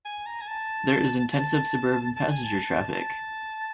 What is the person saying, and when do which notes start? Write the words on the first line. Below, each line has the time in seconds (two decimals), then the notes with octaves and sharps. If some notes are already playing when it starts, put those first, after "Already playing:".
There is intensive suburban passenger traffic.
0.05 G#5
0.26 A#5
0.41 G#5
0.48 A5
1.32 A5
2.17 A5
2.30 G#5
2.44 A5
3.01 A5